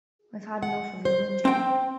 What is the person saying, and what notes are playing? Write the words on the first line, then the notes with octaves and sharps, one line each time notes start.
I've had enough of your whinging.
F#5
C5
C4 G5